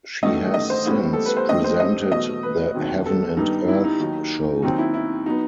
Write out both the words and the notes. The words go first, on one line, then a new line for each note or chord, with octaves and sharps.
She has since presented the "Heaven and Earth Show".
A1 G2 D#3 F#3 A3 D#5
D#5
C5
A1 A2 G3 B3
A4
B4
C5
G2 D#3 A3 C4 D#5
C5
D#5
E2 B2 F#3 A3 D#5
B4
E1 D#2 D#3 F#3 C4
A4
G2 D#3 G3 B3 D#4
E4
D#4
D#2 D#3 F#3
D#2 D#3 F#3 C4 D#4
E4
E4
F#3 B3 D#4